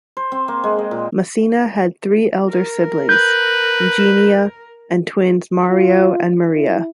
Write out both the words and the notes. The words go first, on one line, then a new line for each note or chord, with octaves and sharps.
Masina had three elder siblings: Eugenia, and twins Mario and Maria.
C5
C4
A#3
G#3
D#5
A#2
A#4
B4 G6
F4
E4